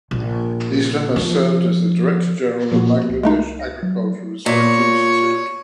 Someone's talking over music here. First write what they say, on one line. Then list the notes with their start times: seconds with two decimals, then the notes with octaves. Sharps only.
Islam has served as the Director General of Bangladesh Agricultural Research Institute.
0.11 A#1
1.16 F3
2.72 A#2 F3 A#3 F#4
3.09 C2
3.23 G#3 A3 D#4
3.60 A#6
3.83 F#3
4.46 A#2 C#5